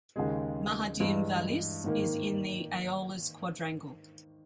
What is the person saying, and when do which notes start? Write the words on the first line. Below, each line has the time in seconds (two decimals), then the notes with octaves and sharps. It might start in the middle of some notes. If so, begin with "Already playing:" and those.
Ma'adim Vallis is in the Aeolis quadrangle.
0.16 D#2 C#3 G#3 G#4
1.00 G2 E3 G#3
1.84 G#2 D#3 A#3